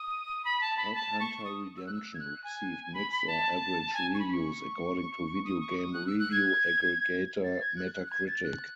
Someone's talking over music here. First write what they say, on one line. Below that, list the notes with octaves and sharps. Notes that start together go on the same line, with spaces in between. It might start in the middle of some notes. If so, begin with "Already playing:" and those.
"Headhunter Redemption" received "mixed or average" reviews, according to video game review aggregator Metacritic.
Already playing: D#6
B5
A5
B5
A5
C#6
D#6
E6
F#6
E6
G#6
F#6
G#5
B5
B5
A5
G#5
C#6
B5
C#6
D#6
C#6
D#6
F#6
E6
F#6
G#6
A6
G#6
F#6
F#6
F#6
G#6
A6
F#6